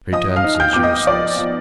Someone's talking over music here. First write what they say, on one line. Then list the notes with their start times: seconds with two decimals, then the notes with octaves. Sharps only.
Pretence is useless.
0.12 F3 D#5 D#6
0.36 F5 F6
0.44 D#4
0.55 F6
0.60 G5 G6
0.73 B3 D6
0.83 D#5 D#6
1.07 F3 D5 D6
1.38 F3